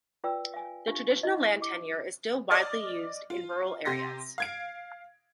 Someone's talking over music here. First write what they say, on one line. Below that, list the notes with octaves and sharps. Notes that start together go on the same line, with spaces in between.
The traditional land tenure is still widely used in rural areas.
F4 B4 D5 G5 E6
F5 G#5
D4 F4 G4 F5
E4 D#5
G4 D6
D5 D#5 F6 A6
F4
C3 G4 C6 A#6
F5 G#6 D7